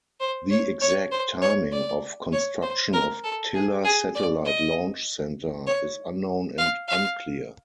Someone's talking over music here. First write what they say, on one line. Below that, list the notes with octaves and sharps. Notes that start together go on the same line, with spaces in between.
The exact timing of construction of Tilla Satellite Launch Centre is unknown and unclear.
C5
C#5
C#5
C5
C#5
D5
C#5
C5
A#4
A4
G#4
G#4
D5
D#5
C#5
F5
F5